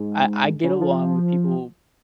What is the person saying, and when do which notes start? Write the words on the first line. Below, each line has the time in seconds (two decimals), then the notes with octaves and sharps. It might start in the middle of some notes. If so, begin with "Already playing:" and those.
I I get along with people
Already playing: G#2
0.64 C#3
0.72 D3
0.81 F3